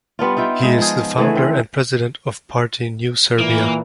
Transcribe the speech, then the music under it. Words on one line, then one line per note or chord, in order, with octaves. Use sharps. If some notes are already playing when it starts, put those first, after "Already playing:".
He is the founder and president of party New Serbia.
G3 B3 D4 F4
D#4 F4 E5 G5
G#3 D#4
F3 G#4
D3 E3 A3 G#4
C4
A#2 E3 A#3